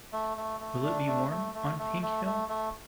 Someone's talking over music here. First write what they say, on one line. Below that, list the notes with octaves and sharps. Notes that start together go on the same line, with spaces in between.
Will it be warm on Pink Hill?
A3
A3
A3
D4
A3
A3
A3
A3
A3
A3
A3